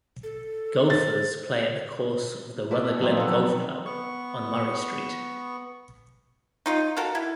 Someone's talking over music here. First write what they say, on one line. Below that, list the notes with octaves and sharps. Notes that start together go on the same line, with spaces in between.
Golfers play at the course of the Rutherglen Golf Club on Murray Street.
A4
C5 A6
A3 E4 F#4 D5
A#2
B2 E3 F#3 A#3 C4 D#4
F3 F#3 B3 C4 A4
B3 C#6
D#4 F4 D#5
F#4 A4 A#4 F5
E4